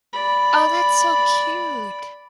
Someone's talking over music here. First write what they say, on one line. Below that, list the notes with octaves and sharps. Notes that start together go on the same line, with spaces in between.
Oh, that's so cute.
D5 B5